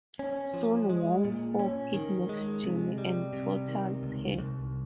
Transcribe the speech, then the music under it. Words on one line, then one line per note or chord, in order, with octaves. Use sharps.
Soon Wong Foo kidnaps Jenny and tortures her.
C#4
F3
G#3
A#2
C#4
D#3
G#3
C3
G3
C3
D#3
C#2
C2